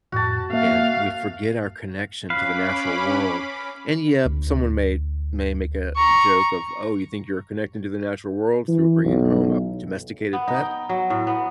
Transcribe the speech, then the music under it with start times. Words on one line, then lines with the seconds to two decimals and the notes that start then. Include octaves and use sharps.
and we forget our connection to the natural world. And, yep, someone may may make a joke of, "Oh, you think you're connecting to the natural world through bringing home a domesticated pet?"
0.12 F2 A2 F#4 A5
0.53 A#3 E5 F5
2.30 C#4 B4 F5 B5 D6
4.26 D2
5.96 A#5 C#6
8.68 E3
9.04 B1
10.33 B3
10.48 D#4
10.60 G5
10.89 F#3
11.10 A2
11.27 B3